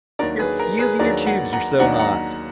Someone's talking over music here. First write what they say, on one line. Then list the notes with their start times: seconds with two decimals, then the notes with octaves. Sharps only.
"You're fusing your tubes you're so hot."
0.19 D#2 D#3 F#3 D4 A#4 D5
0.39 G#4 B4
0.60 A#4
0.79 G#4 B4
0.99 D#2 D#3 F#3 D4 A#4 D5
1.26 F#5 A#5
1.53 F#5 A#5
1.79 D#2 D#3 F#3 D4 F#5 A#5
1.99 F#5 A#5